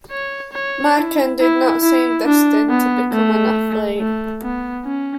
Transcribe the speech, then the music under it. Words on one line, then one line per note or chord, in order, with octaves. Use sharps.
Mikan did not seem destined to become an athlete.
C#5
C#5
E4
E4
E4
D4
B3
A3
A3
B3
C#4